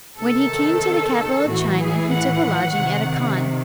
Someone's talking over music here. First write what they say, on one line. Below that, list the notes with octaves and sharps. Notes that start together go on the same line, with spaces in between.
When he came to the capital of China, he took a lodging at a khan.
C3 D#3 A4
A2 E3 F#4
G#4
F#5
C3 D#3